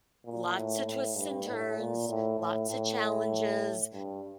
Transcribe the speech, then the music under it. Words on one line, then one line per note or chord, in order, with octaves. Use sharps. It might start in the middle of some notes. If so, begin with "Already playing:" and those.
Lots of twists and turns, lots of challenges,
A#2
A2
A2
G2
A2
A#2
A2
A2
A2
G2